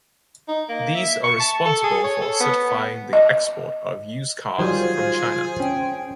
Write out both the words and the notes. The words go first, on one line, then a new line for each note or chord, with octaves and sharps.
These are responsible for certifying the export of used cars from China.
D#4
A#3
E5
C#6
A5
A4
G#4
C#5
A4
B3
D#5
D#3 F#3 G3 F4 G#4 C5 G#5 C6
C#4 G5